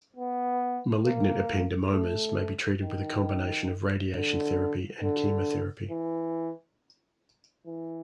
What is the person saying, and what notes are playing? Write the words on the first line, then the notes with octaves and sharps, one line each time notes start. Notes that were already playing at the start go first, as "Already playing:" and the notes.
Malignant ependymomas may be treated with a combination of radiation therapy and chemotherapy.
B3
A#3
A3
D#3
D3
D3
E3
E3